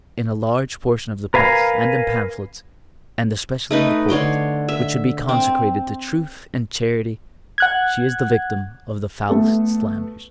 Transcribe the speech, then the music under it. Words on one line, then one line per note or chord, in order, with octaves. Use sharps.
In a large portion of the press, and in pamphlets, and especially in the pulpit, which should be consecrated to truth and charity, she is the victim of the foulest slanders.
A#4 B4 F5 G#5 A#5
A3 D#4 B4
D3 C#5 C6 D6
E5
C4
F#5 F#6 G#6
A3 B3 A4